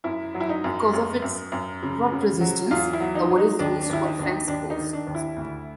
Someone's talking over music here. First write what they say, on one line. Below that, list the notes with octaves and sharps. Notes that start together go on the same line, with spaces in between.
Because of its rot resistance, the wood is used for fence posts.
F#2 E4
F#3
E4
D#4
F#2
F#2
F#2
F#2
C#3
C#3
F#3
E2 F4
E4
F#3
D#4
F#3
D#4
D#2 D4
D4
D#2 E4
D#4
D#2 D4
D#4
D#2 D4
D#4
D#3
D4
D#2
E4
D2